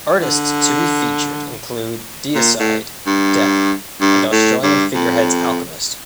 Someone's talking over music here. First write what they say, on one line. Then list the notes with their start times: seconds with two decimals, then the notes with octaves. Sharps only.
Artists to be featured included Deicide, Death and Australian figureheads Alchemist.
0.23 D3
2.35 A#2
2.59 A2
3.06 G2
4.01 G2
4.32 A2
4.63 G2
4.94 F2